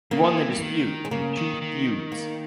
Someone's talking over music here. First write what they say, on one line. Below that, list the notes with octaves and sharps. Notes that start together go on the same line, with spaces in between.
He won the dispute in two feuds.
C#3 A#3
D#3
E3
G3
E3
D#3
G#3
C#3 A#3
D#3
D#3
A#3